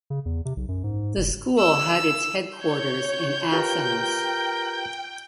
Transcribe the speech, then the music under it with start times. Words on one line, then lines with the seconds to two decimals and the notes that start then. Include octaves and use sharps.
The school had its headquarters in Athens.
0.10 C#3
0.25 E2
0.45 C3
0.57 B1
0.68 F#2
0.84 G#2
1.17 F#1
1.58 E6
2.58 C#5 G6
3.52 F4 G4 A#4 B4 G5